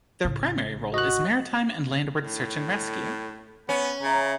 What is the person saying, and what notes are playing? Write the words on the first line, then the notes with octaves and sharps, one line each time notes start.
Their primary role is maritime and landward search and rescue.
A1 C#3
F#4 D#5 F#6
A2
B3 C#4
C#3 E5 A#5